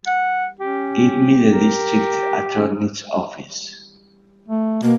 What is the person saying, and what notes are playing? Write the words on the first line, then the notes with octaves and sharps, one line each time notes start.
Give me the District Attorney's office.
F#5
C#4 G4
A#4
C#4
A3
B2 A#3